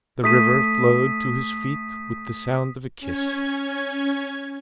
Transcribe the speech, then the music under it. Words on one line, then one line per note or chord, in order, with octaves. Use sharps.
The river flowed to his feet with the sound of a kiss.
A3 D#6 B6 D#7
C#4 G#6